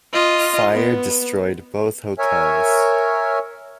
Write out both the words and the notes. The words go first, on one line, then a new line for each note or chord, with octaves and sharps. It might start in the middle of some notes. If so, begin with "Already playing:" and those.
Fire destroyed both hotels.
F4 D#5
B3
A#4 C#5 E5 G#5